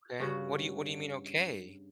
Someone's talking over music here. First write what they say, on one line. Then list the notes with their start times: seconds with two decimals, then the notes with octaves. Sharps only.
Okay, what do you what do you mean, okay?
0.20 G2 C#3 F#4